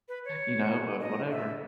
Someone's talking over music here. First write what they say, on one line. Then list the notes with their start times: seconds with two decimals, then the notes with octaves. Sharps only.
you know, but whatever.
0.08 B4
0.25 C#5
1.00 D#5
1.31 E5